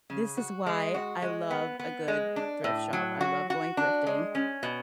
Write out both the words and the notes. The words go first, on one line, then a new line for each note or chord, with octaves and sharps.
this is why I love a good thrift shop, I love going thrifting,
C#3
F#4
G#3
F#4
G#3
B3
B3
G#3
D4
A2
F#3
F#4
F#4
D4
G#3
C#4
B2